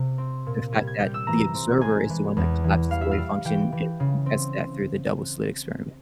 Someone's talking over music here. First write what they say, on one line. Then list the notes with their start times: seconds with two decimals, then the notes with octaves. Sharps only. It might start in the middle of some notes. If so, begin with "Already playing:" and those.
the fact that the observer is the one that collapses the wave function, and we can test that through the double-slit experiment.
Already playing: C3
0.18 C4
0.46 A#2
0.73 G3 G#6
0.87 G#6
1.00 G3 G6
1.14 E6
1.27 E3 A#5
1.55 C4
1.81 G#3 G#5
2.10 E3
2.37 E2
2.64 E3
2.91 G3 F5
3.01 E5
3.11 F5
3.19 G3
3.45 E3 G5
3.72 E3
4.00 C#3
4.26 C4